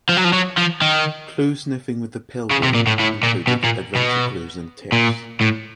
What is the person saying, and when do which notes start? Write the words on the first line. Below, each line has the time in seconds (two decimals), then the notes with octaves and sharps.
'Clue Sniffing With The Pilgrim' included adventure clues and tips.
0.09 F3
0.17 F#3
0.25 F3
0.33 F#3
0.58 F3
0.82 D#3
2.51 C#3
2.63 C3
2.75 A#2
2.87 A2
3.00 A2
3.23 A#2
3.47 B2
3.64 A#2
3.96 B2
4.92 A#2
5.41 A2